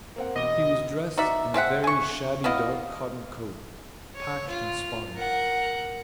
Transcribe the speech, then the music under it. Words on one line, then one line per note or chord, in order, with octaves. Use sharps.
He was dressed in a very shabby dark cotton coat, patched and spotted.
A#3 C4 F#5
E1 D#5 D6 G7
D#4 F#4 D5 E5
G#3 C4 E5 F#5
G#5 C#6
B3 E4 D#5 F5
C#5
F4
A#4 F#5